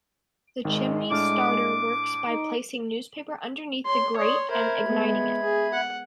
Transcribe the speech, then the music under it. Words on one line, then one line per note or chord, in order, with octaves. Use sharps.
The chimney starter works by placing newspaper underneath the grate and igniting it.
G#1 D#3 G#3
A2 D4 D6 F6
D#4
C#5 C6
C#5 D5 C6 D#6
A#4 C5 E5 B5 G#6
G#3 B3
G#4
F#5